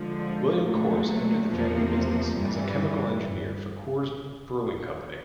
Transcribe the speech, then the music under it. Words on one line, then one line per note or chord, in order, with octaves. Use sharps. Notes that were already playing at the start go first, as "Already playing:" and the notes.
William Coors entered the family business as a chemical engineer for Coors Brewing Company.
Already playing: D3 F3 G#3
A#2 F#3 A3
E2 C3 F3 A#3
G2 E3 G3